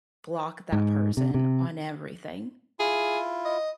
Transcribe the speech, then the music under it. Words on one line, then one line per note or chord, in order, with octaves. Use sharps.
block that person on everything,
G#2
C3
C3
E4 F4 G#4
D#5